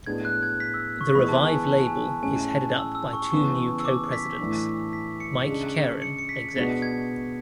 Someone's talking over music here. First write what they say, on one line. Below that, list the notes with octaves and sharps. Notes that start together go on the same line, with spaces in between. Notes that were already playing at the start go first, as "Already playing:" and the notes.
The revived label is headed up by two new co-Presidents: Mike Caren, Exec.
A2 G#3 B3 D4 G#6
F#6
G#6
B6
E6
C#6
E3 G#3 B3 B5
A5
G#5
A5
A5
G#5
A5
A2 G#3 C#4 G#5
A5
E6
E6
C#6
C#3 E3 B3 C#6
E6
D6
B6
A2 E3 A3 D4
B6
C#7
C#3 G#3 D4
C#7
C#7
B6
B2 G#3 B3 D4 F#4 B6
G#6